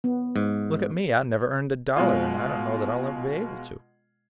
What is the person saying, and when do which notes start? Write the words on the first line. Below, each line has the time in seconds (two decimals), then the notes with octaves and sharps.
"Look at me; I've never earned a dollar, and I don't know that I'll ever be able to."
0.04 B3
0.36 G#2
1.96 B2 G#3 F4